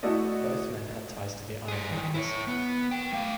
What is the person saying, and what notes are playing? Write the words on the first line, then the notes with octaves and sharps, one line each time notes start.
Both men had ties to the Ironworkers.
A3 E4 F#4 A4 D5 D#5
G#4 C5
D#3 E3
E4 C#5
B3
A#4 G5
A3 F5